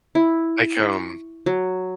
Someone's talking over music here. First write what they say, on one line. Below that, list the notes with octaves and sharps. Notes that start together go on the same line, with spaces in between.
Like, um,
E4
C#6
F#3